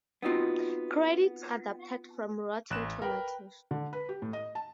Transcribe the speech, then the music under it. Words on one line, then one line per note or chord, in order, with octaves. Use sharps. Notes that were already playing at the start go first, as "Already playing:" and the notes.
Credits adapted from Rotten Tomatoes.
B3 C4 D#4 F4 F#4
A1 F#6 E7
A#4 B4 G5
D3
B4
G4
A2
D#5
A5